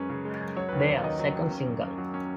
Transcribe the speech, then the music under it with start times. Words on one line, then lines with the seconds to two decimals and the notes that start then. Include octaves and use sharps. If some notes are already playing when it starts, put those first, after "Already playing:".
Their second single.
Already playing: F#2 G#3 C#4 B4
0.09 C#3
0.25 G#3
0.41 F#2
0.56 F#3 C#5
0.68 D#2 B4
0.80 C#5
0.88 D#2
1.04 D#3 D#5
1.19 F#3
1.35 D#2
1.51 C#4
1.67 F#2
1.82 F#2
1.98 F#3
2.14 C#4